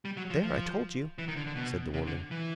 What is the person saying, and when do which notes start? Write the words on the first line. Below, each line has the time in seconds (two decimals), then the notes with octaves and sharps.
"There, I told you!" said the woman.
0.05 G3
0.17 F#3
0.30 F3
0.43 F3
1.18 E3
1.28 D#3
1.36 D3
1.47 D3
1.56 B2
1.94 C3
2.06 D3
2.31 E3